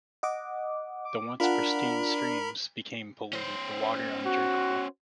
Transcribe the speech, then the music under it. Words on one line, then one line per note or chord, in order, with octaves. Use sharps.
The once pristine streams became polluted, the water undrinkable.
D#5 F#5 D6
D6
D4 F4 A#4 F#5 B5
C#4 C5
F#4